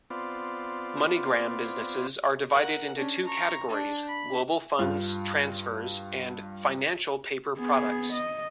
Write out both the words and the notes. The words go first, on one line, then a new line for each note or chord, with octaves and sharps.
MoneyGram businesses are divided into two categories: Global Funds Transfers and Financial Paper Products.
B3 C4 F4 D5
A#4 F#5
C#4 D4
A#5 C#6
D4
B5
G2 F4
B3 G#4
D#5